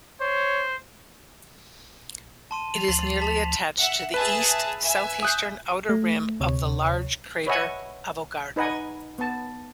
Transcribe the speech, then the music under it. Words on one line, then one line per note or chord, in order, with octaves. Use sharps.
It is nearly attached to the east-southeastern outer rim of the larger crater Avogadro.
C5 C#5
A5 C6 D#7
F3
D2 F3 C6 F#7
A5 B6
E5 F#5
G#4 B4 E5 A5
E5 G#5
D#6 F#6 G6
A3
D2 C3 C#5
B4 C#5 D#5 E5 F#5 G#5
D#4 B4 D#5 F#5 G#5
B3 A5